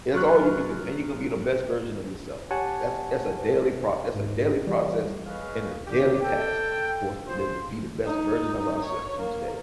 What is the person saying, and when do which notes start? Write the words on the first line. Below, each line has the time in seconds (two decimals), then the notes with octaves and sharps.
That's all you can do, and you're gon' be the best version of yourself. That's that's a daily pro that's a daily process and a daily task for us to live to be the best version of ourselves each day,
0.14 F#3 F4 C#6 F#6
2.51 G4 C#5 F#5 G#5 A5
4.15 G#2
4.67 E3 G3
5.26 G#4 B4 C#5 D#5 F5
5.87 D3 D#3 G4
6.21 A4 G5
7.28 F4 G#4 C5
8.05 D#4
8.85 C#5
9.20 A#3